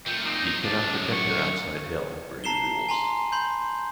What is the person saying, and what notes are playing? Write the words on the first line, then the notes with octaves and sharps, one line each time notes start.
He cannot protect her outside Hell, where he rules.
F#2 A#2 A3 G5
F#3 C4 D#4
G2 C3 F3 D4
F#2
C#6
A5 A#5 C7 E7 G7
G#5 A#5 C6
B5 C6 G6